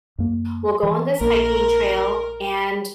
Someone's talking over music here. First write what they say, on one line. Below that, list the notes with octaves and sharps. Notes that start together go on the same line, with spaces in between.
we'll go on this hiking trail, and
F#2 A#3
E3
A#1 A#3 A#4